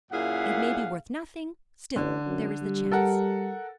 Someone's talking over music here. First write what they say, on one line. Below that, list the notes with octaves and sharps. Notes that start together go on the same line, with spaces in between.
It may be worth nothing, still there is the chance.
F#2 A#2 E4 G#4 F5 F#5
A1 D3
F#2
G3
A4 A#4 F#5